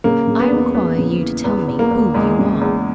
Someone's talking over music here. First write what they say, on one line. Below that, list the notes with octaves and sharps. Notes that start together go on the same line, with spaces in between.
I require you to tell me who you are.'
C#3 A#3
C#3
B3
E2
E2 B3
C#3
E3
E2 B3
E2
A#3
E2
E2 G#3
C#3
E2